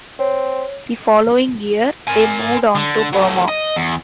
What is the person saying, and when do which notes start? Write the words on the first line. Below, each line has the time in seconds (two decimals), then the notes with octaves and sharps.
The following year, they moved on to Burma.
0.19 C4 C#5
2.08 A#4 G#5
2.75 D3
3.13 F#3 A3
3.48 D#5
3.76 E2